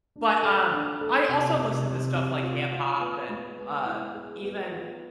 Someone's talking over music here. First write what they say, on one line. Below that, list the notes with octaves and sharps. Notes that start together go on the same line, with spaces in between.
but, um, I also listen to stuff like hip-hop and, um, even,
D4
A4
D4
A4
C3
C3
C3
C3
F4
F4
B3
G#3
B3
E4
G#4
B3
F4